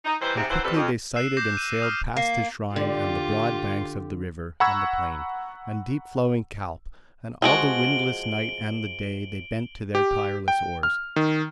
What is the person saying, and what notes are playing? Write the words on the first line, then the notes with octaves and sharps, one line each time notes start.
And quickly they sighted and sailed past his shrine and the broad banks of the river and the plain, and deep-flowing Calpe, and all the windless night and the day they bent to their tireless oars.
D#4
E3 G3 D#4 B4 C5
G#2 C3
E3 F#3 C4 C5
C3 F3 G3 C4 A4 B4
F2
E6 F#6 C7 E7
D6 G6 A#6 C7 E7
D#7
D#6 F6
A#3
D3 F4 G4
F#5 A#5 B5 C#6 E6 G#6
F3 G#3 F#4 D7 F#7 G7
G4
G5
F6
D#3